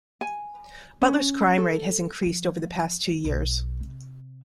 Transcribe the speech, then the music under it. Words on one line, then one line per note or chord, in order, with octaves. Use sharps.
Butler's crime rate has increased over the past two years.
G#5
C#4
A4
F3
B1
C3